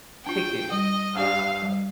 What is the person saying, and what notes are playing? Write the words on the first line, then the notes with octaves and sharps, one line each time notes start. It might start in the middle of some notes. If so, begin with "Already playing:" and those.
picking, uh,
D4 F4 G5
G3 D#5
D4 G4 D5 F5
G3